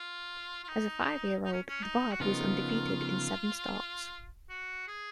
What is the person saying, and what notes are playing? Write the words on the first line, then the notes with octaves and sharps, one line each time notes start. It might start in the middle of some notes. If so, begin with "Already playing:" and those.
As a five-year-old The Barb was undefeated in seven starts.
Already playing: F4
F4
D#4
D#4
C#4
C#4
D#4
F#4
C#3 F3 B3 D#4 F4 A#4
F#4
G#4